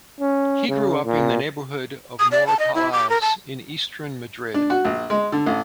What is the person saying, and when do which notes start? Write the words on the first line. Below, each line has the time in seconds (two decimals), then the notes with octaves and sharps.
He grew up in the neighborhood of Moratalaz in eastern Madrid.
0.20 C#4
0.68 C#3
1.05 A#2
2.19 D#6
2.31 D5
2.47 A5
2.59 D#5
2.75 E4
2.92 D6
3.10 A#4
3.22 A5
4.54 D4
4.70 F#4
4.85 A#1
5.10 G#3
5.32 D3
5.46 A1